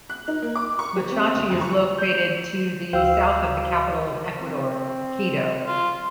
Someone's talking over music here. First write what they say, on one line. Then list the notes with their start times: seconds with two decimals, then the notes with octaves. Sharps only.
Machachi is located to the south of the capital of Ecuador, Quito.
0.10 F#6
0.28 D#4
0.43 A#3
0.56 D6
0.79 C#6
0.96 G4
1.12 C4
1.35 D2
1.50 F2
1.61 C#6
1.99 G6
2.93 D2 F#4 C5 F5 G5 E6
4.37 C4
5.67 F4